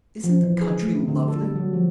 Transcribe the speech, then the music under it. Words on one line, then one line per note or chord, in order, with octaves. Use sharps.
Isn't the country lovely!
F3
E3
G#4
A3
D3
A4
G3
F#3
F3